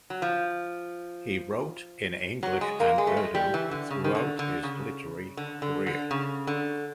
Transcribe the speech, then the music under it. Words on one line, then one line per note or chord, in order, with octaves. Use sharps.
He wrote in English and Urdu throughout his literary career.
F#3
F3
F#3
G#3
A#3
G#3
A3
G#3
G3
E3
D3
C#3
D#3
D3
D3
C#3
D3
D3
D3
C#3
D3